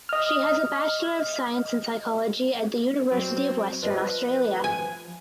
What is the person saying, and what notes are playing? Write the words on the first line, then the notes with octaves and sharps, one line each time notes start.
She has Bachelor of Science and Psychology at the University of Western Australia.
D#5 F6
F#3 C4
F3 B4 D5 D#5 F5
G#5